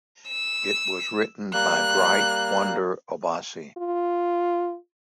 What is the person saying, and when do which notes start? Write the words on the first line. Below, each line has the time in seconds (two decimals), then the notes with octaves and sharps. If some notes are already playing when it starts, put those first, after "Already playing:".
It was written by Bright Wonder Obasi.
0.28 E6
1.53 G3 A#3 F#6
3.78 F4